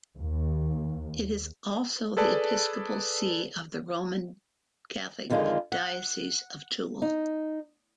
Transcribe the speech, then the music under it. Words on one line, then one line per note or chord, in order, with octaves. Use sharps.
It is also the episcopal see of the Roman Catholic Diocese of Tulle.
D#2
G#4 A4 B4 D5 A5
F2 D3 D#3 G#3 F4
F#5
D#4